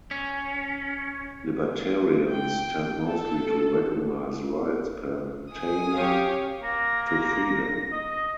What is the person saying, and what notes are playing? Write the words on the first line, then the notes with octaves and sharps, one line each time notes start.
Libertarians tend mostly to recognize rights pertaining to freedom.
C#4
G5
A4
G#5 D#6
G4 C#5 F5
A#3 A#6
D#5